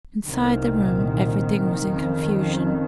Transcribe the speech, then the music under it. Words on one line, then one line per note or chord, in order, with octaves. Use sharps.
Inside the room everything was in confusion.
C2 A#2 D#3
F2 C#3